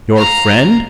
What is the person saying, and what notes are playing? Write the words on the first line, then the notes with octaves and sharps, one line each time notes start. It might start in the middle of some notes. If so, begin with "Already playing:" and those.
"Your friend?"
F5 A#5